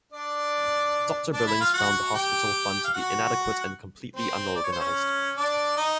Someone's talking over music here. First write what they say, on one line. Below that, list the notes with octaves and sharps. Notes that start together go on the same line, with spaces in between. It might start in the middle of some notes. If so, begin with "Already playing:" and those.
Doctor Billings found the hospital fund to be inadequate and completely unorganized.
D4 D5
D4 D5
E4 E5
F4 F5
F#4 F#5
G4 G5
F5
F#4 F#5
C4 C5
D5
C#5
C5
C#4 C#5
D4 D5
D#4 D#5